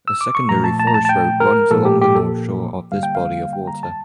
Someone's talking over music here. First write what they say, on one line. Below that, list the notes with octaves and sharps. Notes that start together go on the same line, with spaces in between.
A secondary forest road runs along the north shore of this body of water.
E6
D6
C#6
A#2 F3 A3 A#5
A5
A5
A#5
A5
A5
G5
A#4
A#2 F3 A#3 A4
G4
G4
A4
D3 G3 A#3 F5
G5
F5
G5
A#5
A5